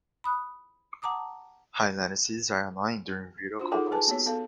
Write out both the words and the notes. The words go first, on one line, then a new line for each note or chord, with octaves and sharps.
High latencies are annoying during video conferences.
B5 D#6 F#6
F#5 A5 A#5 D6 D#6
D4 F4 F#4 C5
D#4 F4 G#4 A4 F#5 D6
G#4 B4 G#5 A5
A#3 B3 F#4 C#5
B3 A4 F5